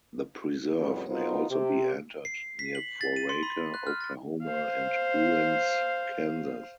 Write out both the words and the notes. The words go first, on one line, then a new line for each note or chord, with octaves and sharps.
The preserve may also be entered near Foraker, Oklahoma, and Hewins, Kansas.
F2 A2 C#3 G3 B3 C4
B3 D#4 F4 F#4 A#4 C5
C3 G4
C7
B6
F#7
A6
D#7
C6
B5
F#6
F6
A6
C5 F5